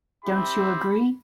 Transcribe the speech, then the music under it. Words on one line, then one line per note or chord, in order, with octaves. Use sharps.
Don't you agree?
C4 E4 G4 B5